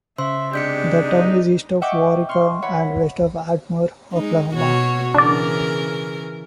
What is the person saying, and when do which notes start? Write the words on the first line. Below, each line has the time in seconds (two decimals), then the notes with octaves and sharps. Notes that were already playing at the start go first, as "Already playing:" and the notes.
The town is east of Waurika and west of Ardmore, Oklahoma.
0.18 C#3 C5 E5 C6 E6
0.54 C3 G#3 D4 G4 G6 B6 C#7
1.02 D#4
1.82 D#5 E5 F#5 G5 C#6 D6
2.29 C6 C#6 F6
2.62 E3 C#5 F#5 B5
4.13 G#3 D#4
4.55 B2 F#4 C#5
5.15 C#3 E3 D4 A#4 D5